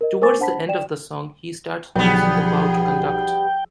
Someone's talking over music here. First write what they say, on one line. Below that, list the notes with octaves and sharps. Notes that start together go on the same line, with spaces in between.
Towards the end of the song, he started using the bow to conduct.
A#4 D#5
A#4 C5 G#5 C#6 D6 A6
D4 C5 F#5 A5 B5 B6
D5 G5 E7
B1 F3 G3 B3 G#4 G5